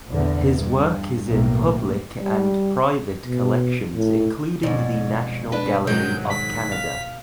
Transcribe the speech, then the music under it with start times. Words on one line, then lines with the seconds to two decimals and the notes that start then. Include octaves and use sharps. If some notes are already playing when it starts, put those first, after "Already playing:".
His work is in public and private collections including the National Gallery of Canada.
0.11 A#1 E2 D3
0.54 G2
1.29 B1 A2 A#3
2.20 G3
3.26 B2
3.96 A2
4.63 F2 G#2 B2 C#5 D5
5.13 F4
5.52 D4 B4
5.87 G#2 D#3 F#3 G#3 G6
6.30 B6
6.72 F5